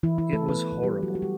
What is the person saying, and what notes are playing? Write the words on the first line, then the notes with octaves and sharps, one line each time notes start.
It was horrible.
E3 E4
E3 E4
A3 A4
B3 B4
G3 G4
F#3 F#4
F#4
G3 G4